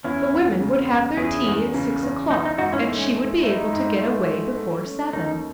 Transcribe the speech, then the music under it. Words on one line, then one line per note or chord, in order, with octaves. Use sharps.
The women would have their tea at six o'clock and she would be able to get away before seven.
E2 C#4 E4
E2
C#3
E2
E2 E4 G#4
E2
C#3
E2
D#4 E4
D#4
G#2 D#4 F#4
C#4 E4
A3 C#4
A3
D#4 E4
G#2
A3
A3
A3
C#4
D#2 D#4